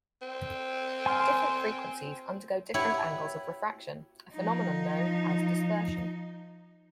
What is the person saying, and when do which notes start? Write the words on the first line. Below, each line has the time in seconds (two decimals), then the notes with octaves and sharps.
Different frequencies undergo different angles of refraction, a phenomenon known as dispersion.
0.22 C4
1.06 G#5 C6 F6
2.74 E4 G4 B4 C#5 F#5
4.33 F3 D#4